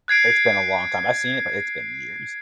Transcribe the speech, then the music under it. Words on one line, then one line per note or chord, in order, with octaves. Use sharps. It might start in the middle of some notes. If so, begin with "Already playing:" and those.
It's been a long time. I've seen it, but it's been years.
F#6 G#6 C7 D7